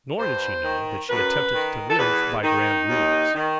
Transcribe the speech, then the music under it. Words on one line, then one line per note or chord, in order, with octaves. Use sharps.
Nor did she know that she attempted to live by grand rules.
G2 C5
D#3
F#2 B4
D#3
A4
E2 B4
D#3 D#4
D#2
D#3